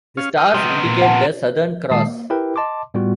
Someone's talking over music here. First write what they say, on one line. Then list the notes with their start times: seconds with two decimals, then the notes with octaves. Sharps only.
The stars indicate the Southern Cross.
0.17 C#4 F5
0.37 D#5 G5 F6
0.54 C3 B3
0.85 A#2
1.02 F#5 A5
1.91 A#2 D#3 G#3 A5 D#6 C7
2.07 A#3
2.30 E4 G4 A#4 B4 G5
2.56 D#5 A5 C6 D6
2.94 A2 G3 B3 F4 F#4